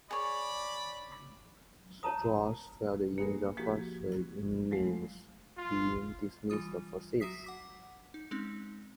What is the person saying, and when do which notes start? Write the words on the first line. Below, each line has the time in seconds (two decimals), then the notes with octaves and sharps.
Strauss failed in the first innings, being dismissed for six.
0.11 G#4 C#5 D5 B5
2.03 C#5 A5 A#5 D#6
3.18 A#3 G#4 A#4 B4
3.57 F3 A#3 F#4 G4 G#6 B6
4.71 F#3 G#3 A3 F4
5.58 F4
6.50 E3 G3 F4 D#6
7.20 F#3 F#4 E5 D#6 B6 C7
7.44 F#5 D6 B6
8.14 D#4
8.31 G#3 C4 C#4 D#4